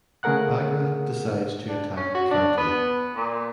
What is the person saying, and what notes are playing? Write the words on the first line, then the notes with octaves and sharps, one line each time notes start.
Bagrat decides to attack Kartli.
C#3 A3 G#4 A#4 F#5 F#6
D4
C#4
F#4
D4
B3
A#2